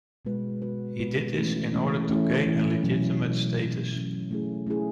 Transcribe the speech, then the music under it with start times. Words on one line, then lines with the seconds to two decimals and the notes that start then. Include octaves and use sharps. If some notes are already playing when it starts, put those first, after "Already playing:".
He did this in order to gain a legitimate status.
0.25 B2 G#3 B3 F#4 B4
0.62 B2 G#3 B3 F#4 B4
0.99 B2 G#3 B3 F#4 B4
1.36 E3 A3 C#4 E4
1.72 E3 A3 C#4 E4
2.09 E3 A3 C#4 E4
2.46 E3 A3 C#4 E4
2.82 B2 F#3 C#4
3.19 B2 F#3 C#4
3.56 B2 F#3 C#4
3.93 B2 F#3 C#4
4.31 A3 C#4 E4 G#4
4.67 A3 C#4 E4 G#4